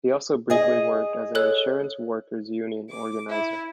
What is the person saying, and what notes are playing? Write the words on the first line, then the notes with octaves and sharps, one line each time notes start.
He also briefly worked as an Insurance Workers Union organiser.
G#4 D#5
A4 C#5 F#6
D6
E4